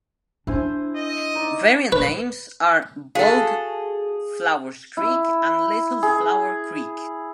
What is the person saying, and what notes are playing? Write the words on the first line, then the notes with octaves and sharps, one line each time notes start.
Variant names are "Bogue Flowers Creek" and "Little Flower Creek".
D4 E4 C5 G#5
D#5
D#4 D5
B4
F#4 G#4 A4 F5
E4
G#4